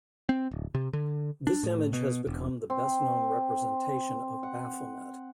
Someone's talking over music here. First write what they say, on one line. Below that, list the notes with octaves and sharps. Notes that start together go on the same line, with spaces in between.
This image has become the best-known representation of Baphomet.
C4
D1
C3
D3
D4
A2
B2
E1
C4
F#5